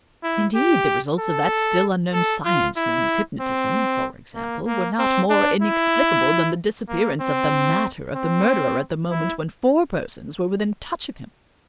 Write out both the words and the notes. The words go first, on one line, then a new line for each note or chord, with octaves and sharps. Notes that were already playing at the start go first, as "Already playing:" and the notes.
Indeed, the results of that still unknown science known as hypnotism, for example, were not more inexplicable than the disappearance of the "matter" of the murderer at the moment when four persons were within touch of him.
E4
G4
A4
A4
F4
E4
C4
A#3
A#3
C4
D4
E4
A#3
C4
C4
E4